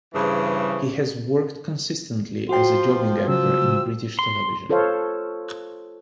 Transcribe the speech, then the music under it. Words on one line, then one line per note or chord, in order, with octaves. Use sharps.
He has worked consistently as a jobbing actor in British television.
G2 C#3 E3 G#4 C5
F3 F#4 G5 C6
C#3 F3 F#3 E6
C6
F4 A4 C5 C#5 F5